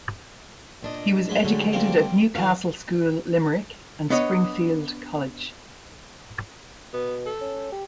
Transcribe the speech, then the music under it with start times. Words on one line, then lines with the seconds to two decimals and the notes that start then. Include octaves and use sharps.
He was educated at Newcastle School, Limerick, and Springfield College.
0.83 A#2 D4 D#5
1.29 F#3 G#3 B5
1.45 D3 A3 G4
1.73 G3 A#3 C4
2.35 D3 E3 F#4 F5
4.10 B3 D4 C#5 D#5
6.93 B2 B3
7.26 A4
7.41 C#4
7.72 G4